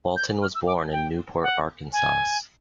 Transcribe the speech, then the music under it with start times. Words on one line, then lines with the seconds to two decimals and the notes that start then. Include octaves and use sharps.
Walton was born in Newport, Arkansas.
0.16 G6
0.42 F6
0.55 E6
0.67 D6
0.92 G5
1.43 F#5
1.93 G#5